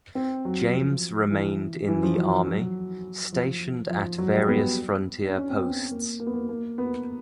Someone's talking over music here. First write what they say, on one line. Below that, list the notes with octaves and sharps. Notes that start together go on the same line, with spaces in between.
James remained in the army, stationed at various frontier posts.
C4
F#3
F#3
F3
E3
E3
F3
F#3
F3
F#3
F3
F3
F#3
G3
B3
D4
C#4
C4
B3
A#3
A#3
B3
A#3
A#3
B3